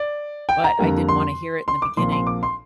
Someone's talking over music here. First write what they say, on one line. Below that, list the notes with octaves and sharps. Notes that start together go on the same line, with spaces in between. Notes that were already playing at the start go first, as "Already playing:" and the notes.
but I didn't wanna hear it in the beginning
Already playing: D5
G5
A#5
F2 D3 G3 A#3
C6
C6
D6
A#1 A#2 F3 C4 C6
C6
D6
C6